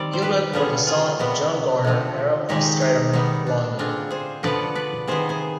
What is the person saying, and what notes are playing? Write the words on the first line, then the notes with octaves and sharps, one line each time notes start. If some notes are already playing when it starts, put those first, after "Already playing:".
Gilbert was the son of John Garner Arrow of Streatham, London.
Already playing: D#3 G3 C4 D5
C5
G4 B4
D3 G3 B3 F4 G#4
F4 G#4
C3 G3 B3
D3 F3 C4
D#3 G#3 C4 D#4 G4
D#4
D#3 G3 B3 D#4
D4
D3 G#3 C4 D4 F4
G#4 C5
D3 F3 B3 B4 D5
B4 D5
C3 D#3 B3 G#4 C5
G#4 C5